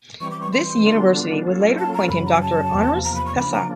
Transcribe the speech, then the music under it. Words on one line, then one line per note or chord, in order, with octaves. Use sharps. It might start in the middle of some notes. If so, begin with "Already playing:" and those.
This university would later appoint him doctor honoris causa.
E3 G3 C4 C#6
D6
C#6
C6
D3 G3 B3 D4 F4
F#3 A#3 C#4 F4 A4
A5
A#5
F#2 C#3 F#3 B5
A#5
G#5
A5
E2 C3 F3 A#3
A#5
B5
C#6
C#3 F3 A#3 D4 B5
A#5